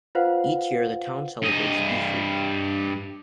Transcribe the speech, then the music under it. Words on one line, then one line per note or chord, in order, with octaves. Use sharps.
Each year the town celebrates Beef Week.
F4 B4 C5 F5 F#5
G2 D#5